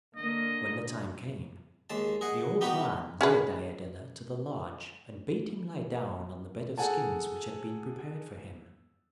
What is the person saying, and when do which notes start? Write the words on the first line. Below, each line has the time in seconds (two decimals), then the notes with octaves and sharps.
When the time came, the old man led Iadilla to the lodge and bade him lie down on the bed of skins which had been prepared for him.
0.16 D3 A#3 D#5
1.90 D#2 G#3 A5
2.21 G#4 D#5 F#5
2.61 B3 D#4 F#4 G4 B4 F#5
3.21 C#4 G#4 B4
6.78 G#4 A4 F#5 G#5 A5